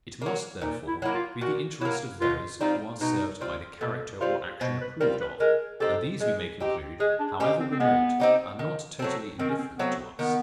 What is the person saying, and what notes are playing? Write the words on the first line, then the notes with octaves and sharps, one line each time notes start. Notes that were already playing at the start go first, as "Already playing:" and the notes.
It must, therefore, be the interest of those, who are served by the character or action approved of; and these we may conclude, however remote, are not totally indifferent to us.
F#3 A#3
A#2 D#4
E4
F#3 A#3 E4
F4
A#2 F#4
F#3 A#3 E4
B2 F4
G3 C4 D#4 F4
B2 D#4
G3 C4 F4
B2 A4
G3 C4 F4 C5
B2 C5
B4
G3 C4 F4 A#4
B4
G#3 A#4
C4 D#4 G4 A4
G#3 G#4
C4 D#4 G4
G#3 G#4
D4
C4 C#4 D#4 G4
C4
C4
G#3 B3
C4 D#4 G4
D#3
F#3 A3 C4
D#3 C4
C#4
C4
F#3 A3 B3 C4
D#3 B3